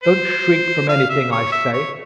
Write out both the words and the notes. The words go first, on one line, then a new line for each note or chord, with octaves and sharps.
Don't shrink from anything I say.
C5
F5
E5
C#5
E5
C#5